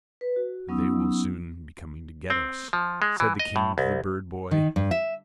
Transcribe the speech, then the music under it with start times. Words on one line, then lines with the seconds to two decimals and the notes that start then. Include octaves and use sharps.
"They will soon be coming to get us," said the King to the bird-boy.
0.21 B4
0.36 F#4
0.69 F#3 B3 C#4 D#4 D#6 E6
2.30 C4
2.73 F3
3.02 G#3
3.20 E3
3.39 D#5
3.56 A2
3.78 C2
4.51 D#3
4.76 G2
4.91 E5